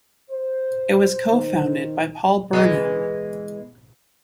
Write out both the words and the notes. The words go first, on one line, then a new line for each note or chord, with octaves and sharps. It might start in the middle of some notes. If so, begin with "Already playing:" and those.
It was co-founded by Paul Burnham.
C5
D#3
E3 G#3 B3